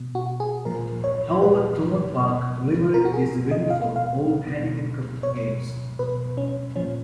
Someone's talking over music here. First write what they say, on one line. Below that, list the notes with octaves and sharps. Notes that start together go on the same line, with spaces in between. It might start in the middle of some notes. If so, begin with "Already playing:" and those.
However Thomond Park, Limerick is the venue for all Heineken Cup games.
Already playing: B2
F#4
G#4
A#2 F3 A#4
C#5
A#2 F3 B4
B2
B2 A#4
F#4
G#4
D#5
B2 F5
F5
B2
B2 C#5
B2 B4
C#4
A#2 F3 C#4